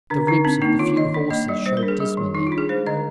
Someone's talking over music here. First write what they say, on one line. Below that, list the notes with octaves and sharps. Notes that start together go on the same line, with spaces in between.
The ribs of the few horses showed dismally.
D3 D4
D3 D#4
C4 D4
A#3 D#4
D#3 F4
D#3 D#5
D4
A#3 D#5
G3 D5
G3 C5
A#4
D4
G#4
G3
D#3
D#3 D#4
F4
D4
G#4
G#3 C5
D3 D#5